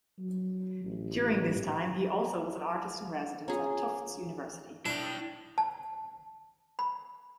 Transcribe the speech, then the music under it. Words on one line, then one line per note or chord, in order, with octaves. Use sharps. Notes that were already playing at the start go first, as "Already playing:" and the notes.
During this time, he also was an artist in residence at Tufts University.
F#3
A1
C#4 F4 G#4 A#5
D4 E4 G5
A5
B5